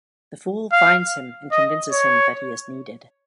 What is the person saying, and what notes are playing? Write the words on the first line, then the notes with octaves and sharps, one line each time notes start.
The Fool finds him and convinces him that he is needed.
F5
D#5
C#5